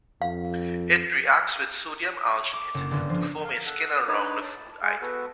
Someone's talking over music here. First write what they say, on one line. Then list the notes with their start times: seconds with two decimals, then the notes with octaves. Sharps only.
It reacts with sodium alginate to form a skin around the food item.
0.22 F2 F5
2.53 D6
2.74 F#1
2.91 G1
3.09 F3
3.45 F5
3.66 A4 F#5
4.08 D4 D#4 B4 C#5
4.44 A5
4.83 G#3 G#4
5.02 B3 F#4 A4 B4